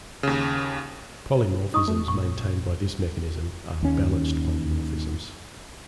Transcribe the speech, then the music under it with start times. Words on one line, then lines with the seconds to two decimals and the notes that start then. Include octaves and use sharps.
Polymorphisms maintained by this mechanism are "balanced polymorphisms".
0.23 D#2 C#3
1.74 D#4 C#6 D#6
1.88 A3
2.08 A#1 C#6
3.83 D#2 C#4